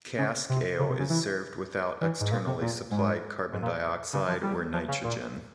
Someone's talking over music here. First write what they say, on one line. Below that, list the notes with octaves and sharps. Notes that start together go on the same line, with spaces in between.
Cask ale is served without externally supplied carbon dioxide or nitrogen.
C#3
C3
C#3
C3
C#3
E3
E3
G#2
A#2
C3
A#2
G#2
G#2
A#2
C#3
F3
G3
F3
C#3
A#2